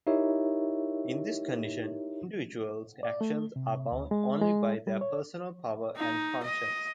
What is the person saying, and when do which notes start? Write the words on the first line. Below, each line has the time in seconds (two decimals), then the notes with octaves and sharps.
In this condition, individuals' actions are bound only by their personal power and conscience.
0.07 D#4 E4 G4 A#4 C#5 E5
3.03 D5
3.21 A3
3.56 C3
3.92 D2
4.11 G#3
4.42 G#3
4.87 G3
5.01 C#5
5.96 D#4
6.43 D#5